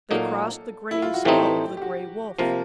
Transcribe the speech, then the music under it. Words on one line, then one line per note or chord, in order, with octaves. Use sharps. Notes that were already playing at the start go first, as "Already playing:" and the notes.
They crossed the grinning skull of the gray wolf.
A#2 F#3 A#3 D#4 A4
E4
F4
F#4
A2 E3 A3 C4 D#4 G4
G4
F#4
C3 F3 A#3 F4